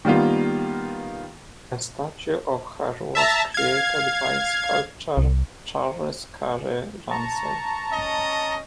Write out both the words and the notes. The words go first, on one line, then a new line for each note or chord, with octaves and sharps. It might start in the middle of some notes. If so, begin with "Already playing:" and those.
A statue of her was created by sculptor Charles Cary Rumsey.
D#3 G3 A#3 B3 F4
E5 A5 A#5
F5 G#6
C2
A5 A#5 C#6
C#4 D#5